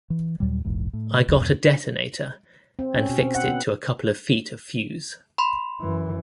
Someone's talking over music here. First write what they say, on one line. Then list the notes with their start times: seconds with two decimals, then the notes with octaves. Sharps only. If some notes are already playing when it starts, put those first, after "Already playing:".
I got a detonator, and fixed it to a couple of feet of fuse.
0.10 E3
0.40 D#2 A#2 F#3 G3
0.65 E1 A#1 E2 G#2
0.93 A2
1.28 G#1 D#2 F#3
1.41 E2 G2 B2
2.79 C4
2.94 C#4
3.09 B2
3.21 C4
3.35 F#5
3.47 B3
5.38 B5 C6
5.80 F#2 E3